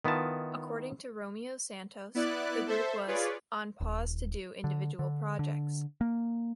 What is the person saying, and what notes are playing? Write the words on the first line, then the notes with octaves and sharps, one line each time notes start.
According to Romeo Santos, the group was "on pause to do individual projects".
D#3 B3 E4 F4 A5
B3 E4 D5 F#6
A4 C5 E5
F4 G#4 B4 C#5 D5
D#1
D3
D3
D3
A#3